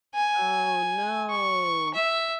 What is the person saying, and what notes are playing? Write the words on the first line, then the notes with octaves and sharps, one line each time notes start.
Oh, no.
G#5
C#6
E5